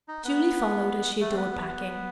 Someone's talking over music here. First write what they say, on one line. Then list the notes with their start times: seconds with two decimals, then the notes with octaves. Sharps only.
Julie followed, as she adored packing.
0.08 D#4
0.24 B3
1.20 A3
1.31 C4
1.37 B3
1.52 B3
1.68 B3